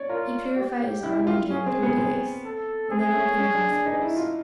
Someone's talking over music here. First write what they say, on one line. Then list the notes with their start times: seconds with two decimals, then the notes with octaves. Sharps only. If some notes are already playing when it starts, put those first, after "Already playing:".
He purified his army during three days, and then opened the Gospels.
Already playing: C#5 D5
0.09 F4 A#4
0.57 G4
1.04 E4
1.27 F4
1.50 C#4 G#4
1.66 C4
1.82 B3
1.98 C4
2.45 A4
2.91 C4 G#4
3.15 C#4
3.38 C#4
3.54 D4
3.70 D4
3.86 D#4
4.02 E4
4.17 F4